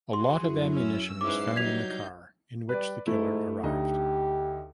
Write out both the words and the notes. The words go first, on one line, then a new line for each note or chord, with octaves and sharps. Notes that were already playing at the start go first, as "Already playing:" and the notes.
A lot of ammunition was found in the car in which the killer arrived.
F#4 G#4 C6
F#2 F#3 E4
C#4 E6
G#2 C#4 E4 B4 D6 C7
F#3 G3 D#4 G6 G#6 B6 F7
G3 B4 D5
G#2 A3 E4
D2 D#4 G4 D#5